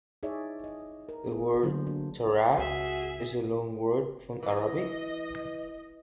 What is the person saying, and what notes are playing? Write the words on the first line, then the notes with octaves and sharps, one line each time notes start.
The word Taarab is a loanword from Arabic.
D#4 E4 G#4 C#5 D5 E5
D#5
A#4
B3 G#4
D3 F#3 A#3 C5
D4
C#2 F#4 G#4 E5
E3 D#5